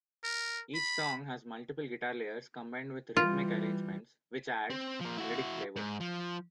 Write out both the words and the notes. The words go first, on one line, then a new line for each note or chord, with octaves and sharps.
Each song has multiple guitar layers combined with rhythmic arrangements, which add "melodic flavor".
A#4
B5
E3 G3 F4
C4
F3 A#3
E4 F#4
G#2
F3